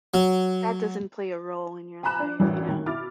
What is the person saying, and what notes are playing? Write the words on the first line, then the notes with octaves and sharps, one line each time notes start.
that doesn't play a role in your life, you know?
F#3
G#5 A#5 B5 F#6 E7
D4
A1 F#2 E3 D4
D#3
B2 E4 D6 F6 A6